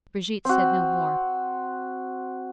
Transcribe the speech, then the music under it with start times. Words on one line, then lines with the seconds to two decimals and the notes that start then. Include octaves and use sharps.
Brigitte said no more.
0.45 C4 F#4